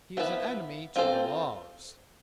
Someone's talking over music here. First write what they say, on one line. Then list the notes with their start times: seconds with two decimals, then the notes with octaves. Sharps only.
He is an enemy to the laws.
0.17 F3 B3 E4 B4
0.96 C4 F4 A4 C5